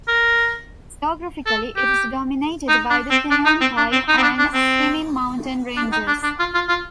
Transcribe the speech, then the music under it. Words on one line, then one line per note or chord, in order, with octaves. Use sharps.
Geographically, it is dominated by the Tiantai and Siming mountain ranges.
A#4
A4
G4
D#4
D4
C4
D4
D#4
C4
D4
C4
D#4
C4
D4
D4
C4
D4
D#4
D4
D4
F4
F4
F4